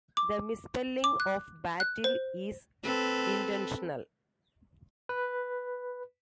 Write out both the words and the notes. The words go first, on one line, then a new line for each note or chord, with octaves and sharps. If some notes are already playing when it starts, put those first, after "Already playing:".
The misspelling of "Battel" is intentional.
D6
D6
F#6
F#6
C5
C4 A4 B4
B4